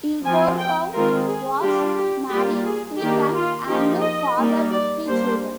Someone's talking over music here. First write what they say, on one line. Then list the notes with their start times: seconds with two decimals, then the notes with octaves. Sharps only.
Yegorov was married three times and fathered three children.
0.24 F3 C4 F4 G#5
0.59 G5
0.93 D#3 G#3 C4 F4 A#4
1.27 G#4
1.62 G3 D4 F4 G4
1.96 G4
2.30 G3 A#3 F4 G4
2.65 G#4
2.99 D#3 A#3 D4 G4
3.33 F4
3.68 F3 A#3 D#4 G4
4.02 D#5
4.37 G3 A#3 D#4
4.71 D5
5.05 G3 A#3 D4 C5